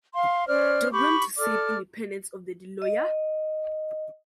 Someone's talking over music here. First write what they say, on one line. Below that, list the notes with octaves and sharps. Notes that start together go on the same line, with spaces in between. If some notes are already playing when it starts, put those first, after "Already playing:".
Dougram to save independence of the Deloyer!
F5 C6
C#4 C5 D5 F6
G4 B5 C#6 D6
A4 D5 D6 F6
D#5